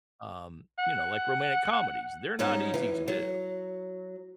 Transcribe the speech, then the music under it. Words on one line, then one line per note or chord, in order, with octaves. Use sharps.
Um, you know, like, romantic comedies, they're not easy to do.
F#5
G#2 G3 C#4 D#4
F#2 E3
F#3